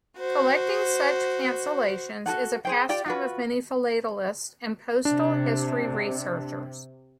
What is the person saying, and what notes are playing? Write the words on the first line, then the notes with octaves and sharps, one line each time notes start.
Collecting such cancellations is a pastime of many philatelists and postal history researchers.
F#4 C5
F#4 G#4 A4 F#5
G#4 C5 G5
F4 G4 D5 G5
F4 F#4 B4
C3 D4